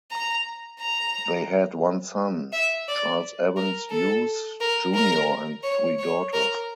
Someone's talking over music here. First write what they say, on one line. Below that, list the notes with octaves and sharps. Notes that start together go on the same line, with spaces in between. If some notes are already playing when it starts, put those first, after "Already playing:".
They had one son, Charles Evans Hughes Junior and three daughters.
A#5
A#5
E5
D5
A#4
A4
A#4
A#4
C#5
C#5
A#4